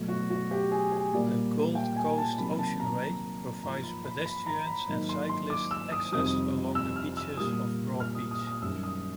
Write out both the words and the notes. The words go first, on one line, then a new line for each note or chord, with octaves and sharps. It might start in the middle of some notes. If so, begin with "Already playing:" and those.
The Gold Coast Oceanway provides pedestrians and cyclists access along the beaches of Broadbeach.
Already playing: B2 F#3 A3
F#4
F#4
G4
G#4
G#4
A#2 G3 A#3 D5
G5
G#5
A5
C3 D#3 F#3 A#3 B5
A5
A#5
G#2 F3 A#3 A#5
B5
B5
B5
A#5
B5
G#2 D#3 F#3 A#3
C6
C6
D6
E6
D#6
F2 C3 D#3 G3 D#6
E6
F6
E6
A#2 G3 A#3 D#6
F6
D#6
D#6
D#6
F#2 D#3 G3 E6
D#6